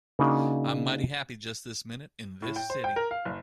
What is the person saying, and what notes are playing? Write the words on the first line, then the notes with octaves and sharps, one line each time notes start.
I'm mighty happy just this minute, in this city.
C#3 A#3 D4 D#4 F#4
A2
G5
C5
G5
A#4
F5
F#1